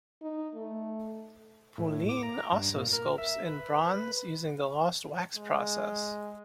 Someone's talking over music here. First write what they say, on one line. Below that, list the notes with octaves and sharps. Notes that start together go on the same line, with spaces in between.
Poulin also sculpts in bronze, using the lost wax process.
D#4
A3
A2
D6
A#5
G2
A#2
A#4
E5
B4
B4
G#3